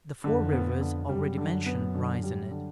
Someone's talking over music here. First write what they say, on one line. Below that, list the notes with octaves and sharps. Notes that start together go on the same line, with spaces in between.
The four rivers already mentioned rise in it.
F2 D3
B3
D3
F#2 G3
D3
B3
D3
G3
D3